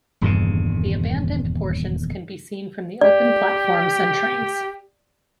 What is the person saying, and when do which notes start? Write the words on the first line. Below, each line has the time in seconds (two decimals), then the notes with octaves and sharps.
The abandoned portions can be seen from the open platforms and trains.
0.21 D#1 E2 G2 C#3
3.01 G4 D5